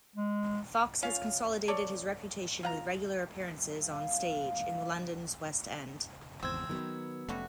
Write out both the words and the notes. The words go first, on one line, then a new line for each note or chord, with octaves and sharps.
Fox has consolidated his reputation with regular appearances on stage in London's West End.
G#3
C#4 F4 F5
A4 C#5 D5
F4 F#5 A#5
F5
G#1 E2 C4 E6 G#6
D#3 F#3 B3
F1 B2 G3 A3 C#4 F#4